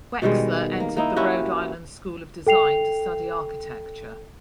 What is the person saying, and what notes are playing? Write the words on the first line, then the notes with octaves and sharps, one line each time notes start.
Wexler entered the Rhode Island School of Design to study architecture.
B2 D#3 G3 G#3
A#3
A#3 D#4 E4
C#4 E4 F#4 G4
A4 G5 C7 F7